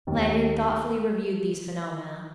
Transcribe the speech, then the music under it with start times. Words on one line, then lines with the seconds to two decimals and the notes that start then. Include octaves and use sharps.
Lanyard thoughtfully reviewed these phenomena.
0.07 D#2 D#3